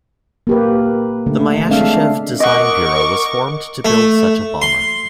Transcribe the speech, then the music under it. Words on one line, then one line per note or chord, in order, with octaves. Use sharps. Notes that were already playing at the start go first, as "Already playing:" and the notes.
The Myasishchev design bureau was formed to build such a bomber.
A#3 G4 B4
D3 A3
G#3 A3 C4 D4 E5 F5
A#4 D#5 F#5 C#6 D6
A3
C6